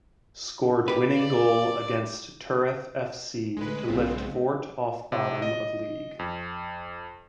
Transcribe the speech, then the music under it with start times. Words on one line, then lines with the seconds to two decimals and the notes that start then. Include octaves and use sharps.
Scored winning goal against Turriff fc to lift Fort off bottom of league.
0.88 G4 B4
1.17 D5
3.57 D2 G#3 B4
3.88 B1 G#2 C#3 G#3 B3 C4
5.12 C3
5.42 D#5
6.19 F2